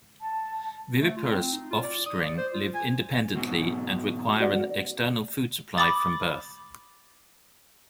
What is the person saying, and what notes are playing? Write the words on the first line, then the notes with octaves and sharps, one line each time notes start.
Viviparous offspring live independently and require an external food supply from birth.
A5
A3
F4
C4
D#4
F4
D5
D#6
D5
C5
F4
G#5
G#2 B2 F#3
F#4 D5
B5 D6 D#6 A6